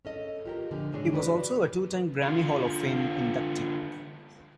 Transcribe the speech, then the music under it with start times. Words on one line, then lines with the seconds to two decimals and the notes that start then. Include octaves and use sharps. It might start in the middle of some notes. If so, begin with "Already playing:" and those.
He was also a two-time Grammy Hall of Fame inductee.
0.05 C#4 A4 D#5
0.45 F4 G4 A#4
0.71 A#2 D3 F3
0.92 G#2 D3 G#3 D4 C#5
1.13 F#4 B4 C#5 D5
2.22 D3 F4